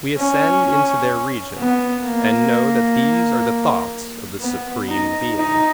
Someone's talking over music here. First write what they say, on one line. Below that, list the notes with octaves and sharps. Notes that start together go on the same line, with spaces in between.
We ascend into their region, and know that these are the thoughts of the Supreme Being.
C#4
B3
A#3
B3
D#4
D#4